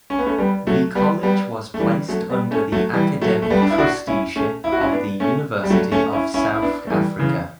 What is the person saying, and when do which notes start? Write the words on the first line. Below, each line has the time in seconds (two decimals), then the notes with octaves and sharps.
The College was placed under the academic trusteeship of the University of South Africa.
0.10 C#4
0.19 B3
0.26 A3 C#4
0.38 G3 B3
0.67 F#3 A3
0.95 G3 B3
1.23 G3 B3
1.74 A3
1.80 E3 G3
2.09 F#3 A3
2.29 G3 B3
2.51 A3 C#4
2.72 F#3 A3
2.93 E3 G3
3.21 F#3 A3
3.42 A3
3.50 G3 B3
3.62 D4
3.70 E4
3.78 D4 F#4
4.07 C#4 E4
4.36 A3 C#4
4.64 E4
4.72 F#4
4.81 C#4 E4
4.92 B3 D4
5.20 A3 C#4
5.63 G3
5.70 F#3 A3
5.92 A3 C#4
6.13 C#4 E4
6.34 C#4 E4
6.54 E4
6.62 B3 D4
6.87 A3
6.90 E3 G3
7.19 C#3 E3